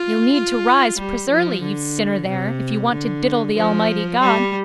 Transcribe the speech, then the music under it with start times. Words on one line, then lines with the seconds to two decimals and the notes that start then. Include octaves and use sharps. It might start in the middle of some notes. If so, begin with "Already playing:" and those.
You'll need to rise precious early you sinner there, if you want to diddle the Almighty God.
Already playing: F4
0.33 F4
0.98 G3
1.30 F3
1.62 D3
2.27 C3
2.91 D3
3.56 F3
4.20 G3